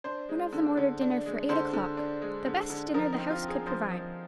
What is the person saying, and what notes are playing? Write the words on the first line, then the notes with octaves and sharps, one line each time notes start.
One of them ordered dinner for eight o'clock, the best dinner the house could provide.
D4 C5
G#3
D3
D3
D4
G#3
D3 C5
D3
D4
G#3
D3
D3
F3 A#4
D#4
C4
F4
C4
G#4
F3 C5
F3